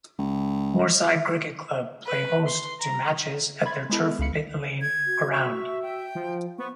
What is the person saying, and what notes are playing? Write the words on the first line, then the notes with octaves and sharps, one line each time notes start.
Moorside Cricket Club play host to matches at their Turf Pit Lane ground.
C#2
B4
C6
A#5
B5 C6 G#6 A6
G#3 B3 E4 A4
C#2 G2 F5 B5 C#7
G#6
F#4
E5 C#6
G5
F3
B3 C5 C#6